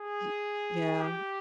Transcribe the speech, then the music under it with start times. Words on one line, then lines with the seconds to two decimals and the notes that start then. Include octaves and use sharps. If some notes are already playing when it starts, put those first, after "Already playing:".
Y yeah.
Already playing: G#4
1.01 G4